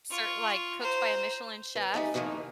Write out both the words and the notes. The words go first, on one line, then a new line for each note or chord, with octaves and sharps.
ser like cooked by a Michelin chef
F4 C#6
C5 A#5
B4
G3 A3 D#4 G#4
F2 A2 D#3 G#3 A#3